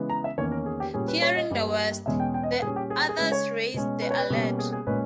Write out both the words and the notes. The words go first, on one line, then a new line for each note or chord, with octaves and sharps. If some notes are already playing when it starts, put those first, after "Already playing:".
Fearing the worst, the others raised the alert.
Already playing: C#3 E3 G#3 B3
A#5
E5
E2 D#3 A#3 C#4 C#5
A#4
G#4
G4
A#2 G3 C#4 G#4
B4
C#5
D#5
G2 G3 A#3
E2 B2 G#3 C#4 E5
G5
G5
D#5
B4
A#2 G3 C#4 G#4
G4
G#4
G4
G#4
C#3 G#3 C#4 B4
C#5
B2 G#3 C#4
B4
C#5
B4
B2 G3 A#3 C#4
G#4
G#4
A#2 G#3 C#4 B4